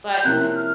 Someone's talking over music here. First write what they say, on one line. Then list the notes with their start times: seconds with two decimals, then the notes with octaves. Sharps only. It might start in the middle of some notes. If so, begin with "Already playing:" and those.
but I
0.13 G6
0.24 C3 F3 A#3 C#4 E4 F#6
0.56 F6